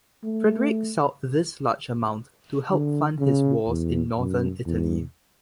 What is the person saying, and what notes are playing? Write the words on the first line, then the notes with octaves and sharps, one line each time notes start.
Frederick sought this large amount to help fund his wars in northern Italy.
A3
D3
C#3
E2
F#2
E2